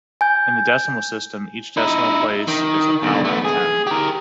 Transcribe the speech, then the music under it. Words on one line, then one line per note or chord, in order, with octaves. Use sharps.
In the decimal system each decimal place is a power of ten.
G#5 G6
D#4 E4
D#3
B1 D3
A3 B3
G#4
G4 A#4